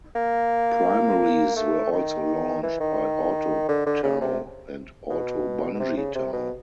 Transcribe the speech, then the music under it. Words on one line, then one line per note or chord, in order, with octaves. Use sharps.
Primaries were also launched by auto-tow and auto-bungee tow.
A#3
A3
D#3
E3
D#3
D3
D3
C#3
C3
B2
B2
C3
C#3
C3
B2